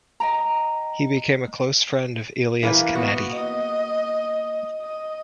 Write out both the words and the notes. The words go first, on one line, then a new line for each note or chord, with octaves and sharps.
He became a close friend of Elias Canetti.
D#5 G5 A#5
E3 A#3 B4
B3 F#4
D#5
D#5